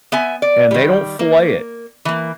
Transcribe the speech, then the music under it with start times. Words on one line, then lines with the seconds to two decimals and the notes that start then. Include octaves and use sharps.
and they don't fillet it.
0.12 B3 E5 G#5
0.42 D5
0.71 D#3 G3
1.19 A#3
2.05 E3 A#3